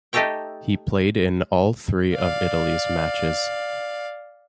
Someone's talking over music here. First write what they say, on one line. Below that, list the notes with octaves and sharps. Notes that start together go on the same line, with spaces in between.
He played in all three of Italy's matches.
A3 D#4 G4 A4 C#5 G5
D5 F5